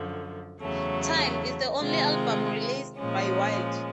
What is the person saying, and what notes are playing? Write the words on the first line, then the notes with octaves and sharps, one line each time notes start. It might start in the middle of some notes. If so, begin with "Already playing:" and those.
"Time" is the only album released by Wild.
Already playing: F#2 D3 F3
E2 C#3 F#3 A3
C3 D#3 G#3 C4 F4
A#2 F3 G#3 C#4